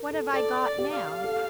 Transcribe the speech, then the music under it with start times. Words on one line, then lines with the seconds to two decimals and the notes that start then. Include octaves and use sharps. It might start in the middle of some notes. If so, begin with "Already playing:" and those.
What have I got now?
Already playing: A#4
0.11 A4
0.33 A4 D5
0.64 D5
0.78 G4
0.93 F5
1.24 A4